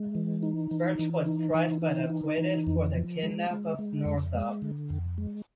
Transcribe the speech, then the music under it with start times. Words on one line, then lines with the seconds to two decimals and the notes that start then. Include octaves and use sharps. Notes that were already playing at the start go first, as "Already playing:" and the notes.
Birch was tried but acquitted for the kidnap of Northup.
Already playing: G#3
0.15 E3
0.43 D#4
0.71 E3
0.99 E3
1.26 D#4
1.54 E3
1.82 D#4
2.10 D#4
2.38 E3
2.67 F2
2.94 F3
3.23 G#3
3.51 G#3
3.79 G#3
4.05 F2
4.35 G#3
4.62 D3
4.90 F2
5.18 G#3